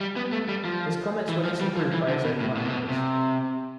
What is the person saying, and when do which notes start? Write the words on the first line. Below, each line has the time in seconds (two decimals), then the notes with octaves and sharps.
His comments were disapproved by his own party members.
0.01 G3
0.16 B3
0.32 A3
0.49 G3
0.65 F3
1.29 E3
1.45 F3
1.61 G3
1.77 F3
1.93 E3
2.09 D3
2.25 B2
2.41 A2
2.57 B2
2.65 C3
2.73 B2
2.89 C3